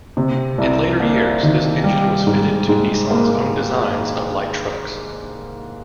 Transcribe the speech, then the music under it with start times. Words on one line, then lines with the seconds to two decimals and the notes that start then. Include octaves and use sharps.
In later years, this engine was fitted to Nissan's own designs of light trucks.
0.17 C3
0.58 C2
1.00 A#3
1.43 D#3
1.84 G3
2.27 G#2
2.69 G#2
3.11 A#3